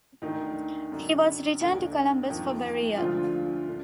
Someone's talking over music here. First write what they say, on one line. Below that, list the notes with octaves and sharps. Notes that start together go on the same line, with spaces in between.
He was returned to Columbus for burial.
D2 D3 D#3 D#4
F#2 D3
D#2 D3
F2 D#3
D2 D3 F3 F4
D3